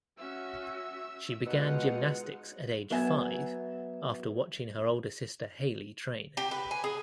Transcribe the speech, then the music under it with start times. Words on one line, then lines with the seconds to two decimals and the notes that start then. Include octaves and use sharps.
She began gymnastics at age five after watching her older sister Hayley train.
0.18 C#4 F#4 E5 E6
1.46 B2 G#3 D#4 F4 F#5
2.90 F#3 B3 E5 G#5
6.37 G4
6.51 B4
6.71 G#5
6.84 G#4